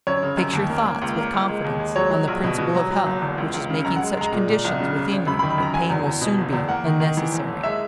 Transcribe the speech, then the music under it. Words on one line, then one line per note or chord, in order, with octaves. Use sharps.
Fix your thoughts, with confidence, on the Principle of Health which is making such conditions within you that pain will soon be unnecessary.
F#2 C#5
C#3
F#2
D#2
A#3
A#3
C#2
A#3
C#2
G#3
D#2
G#3
F#3 C#5
F#3
A#1
B2
B2
F#3
F#3
F#1
E2
C#2
C#2
C#3
F#2 A#5
F#5
G#3
G#3 A#5
A#2
A#2
B1
C#3
C#3
G#1
F#2 B5
B5
D#3
B5
F#2 A#5
F#3 G#5
E2
E2
B2
F#1
E2
A#3 F#5
D#3
D#3
E3
F#1
F#1
G#3 E5